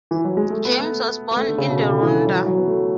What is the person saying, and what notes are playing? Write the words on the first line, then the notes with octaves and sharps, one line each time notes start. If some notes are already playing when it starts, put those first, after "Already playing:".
James was born in the Rhondda.
E3
F#3
G#3
A3
B3
A3
B3
A3
D3
C#3
B2
C#3
D3
E3
D3
F#3
E3
F#3
B3
A3